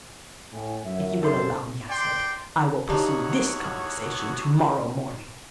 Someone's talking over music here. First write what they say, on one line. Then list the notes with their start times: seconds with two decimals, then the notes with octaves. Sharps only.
"If you will allow me," I said, "I will pursue this conversation to-morrow morning."
0.53 A2 G#5
0.84 F#2 E5
1.23 A4 C5 C6
1.89 D5 G5 C6
2.89 E2 A#3 D4 D#4 F#4 G4 C#5